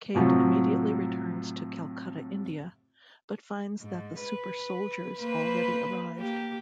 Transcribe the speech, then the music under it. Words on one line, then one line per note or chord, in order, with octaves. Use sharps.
Cate immediately returns to Calcutta, India, but finds that the Super-Soldiers already arrived.
A2 C3 F3 F#3
G#2
B4
A#3 B4 C5
A#3 G4